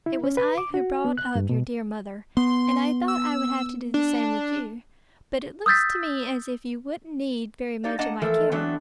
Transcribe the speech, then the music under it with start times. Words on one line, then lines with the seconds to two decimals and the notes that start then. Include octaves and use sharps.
It was I who brought up your dear mother, and I thought I would have to do the same with you; but it looks to me as if you wouldn't need very much of my care.
0.06 E4
0.24 C#4
0.37 B4
0.58 D6
0.74 F#4
1.05 B3
1.18 F#6
1.35 G2
1.49 B2
2.37 B3 C6
3.08 E6
3.94 D4
5.66 D#6 E6 G6 A6 B6
7.84 D#4 G4 D5 F5
7.99 A#3 D4 D#5 F#5 A5 A#5
8.22 E3 F3 A3 A4 A#4
8.52 E3 F#3 A3 B3 C4 D4